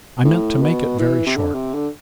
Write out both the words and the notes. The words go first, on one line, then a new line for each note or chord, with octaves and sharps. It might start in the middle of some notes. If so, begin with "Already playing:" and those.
I meant to make it very short.
A2
B2
E3
C3
D3
C3
D3